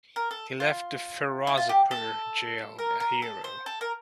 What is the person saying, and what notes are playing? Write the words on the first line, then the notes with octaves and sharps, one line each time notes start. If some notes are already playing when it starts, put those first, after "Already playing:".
He left the Ferozepur jail a hero.
A#4
A4
F4
E4
F4
G4
A4
A#4
A#4
A4
C5
A4
A#4